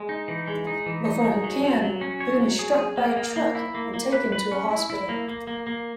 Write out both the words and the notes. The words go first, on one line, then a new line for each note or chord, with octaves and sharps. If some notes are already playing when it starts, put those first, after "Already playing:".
Before he can, Boone is struck by a truck and taken to a hospital.
Already playing: G#3
D#4
E3
G#3
D#4
E3
D#4
G#3
F#3
F#3
F#3
C#4
C#5
F#3
G#4
G#4
A#3
A#3
A#3
E4
A#3
A#3
B4
B4
C#4
E4
E4
A#3
A#3
A#3
A#3